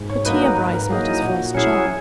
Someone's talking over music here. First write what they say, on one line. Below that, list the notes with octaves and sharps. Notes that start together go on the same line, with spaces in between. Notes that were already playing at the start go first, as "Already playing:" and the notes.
But here Bryce met his first check.
Already playing: G#2
C#5
F#3 A#3 D#4 B4
A#4
G#2 B4
A#4
F#3 A#3 D#4 G#4
E4
A#2 F#4
F#3 C#4 E4 G#4